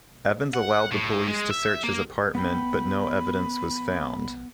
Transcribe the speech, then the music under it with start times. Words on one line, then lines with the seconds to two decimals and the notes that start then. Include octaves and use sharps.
Evans allowed the police to search his apartment but no evidence was found.
0.54 F#5
0.92 A2
1.28 G#3
1.51 E5
1.83 A#3
2.35 B3 G5 B5